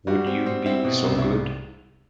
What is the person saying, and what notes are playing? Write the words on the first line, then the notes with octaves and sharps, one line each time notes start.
Would you be so good?
G3 F#4
C4
C4
C4 E4
B2
C2
E4